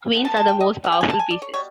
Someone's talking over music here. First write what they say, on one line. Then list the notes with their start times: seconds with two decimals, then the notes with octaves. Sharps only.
Queens are the most powerful pieces.
0.13 C#3 F3 B3
0.25 A5
0.37 A5
0.48 G5
0.61 D#5
0.84 E3 G#3 B3 F#5
0.92 G5
1.01 G#5
1.10 A5
1.19 G#5
1.31 D5
1.42 C#5
1.54 B2 G3 C#5